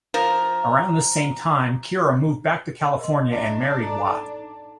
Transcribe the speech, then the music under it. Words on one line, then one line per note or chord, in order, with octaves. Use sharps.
Around this same time, Kira moved back to California and married Watt.
F3 A#4
A#4 D#5 C6
D4 D#5 E5 A#5
A4 A#5
D#4